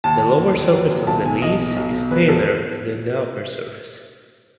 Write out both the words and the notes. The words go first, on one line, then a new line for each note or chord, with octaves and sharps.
The lower surface of the leaves is paler than the upper surface.
D#2 A5
D#2
D#2
D#2
F#3
D#2
B1 A5
B2 G#5
B1 D#5
B2
B1
B2
E2 B4
E2 A4